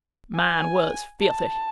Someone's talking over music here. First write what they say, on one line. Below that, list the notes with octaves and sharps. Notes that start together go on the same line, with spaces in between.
Mine was filthy.
G#5
A5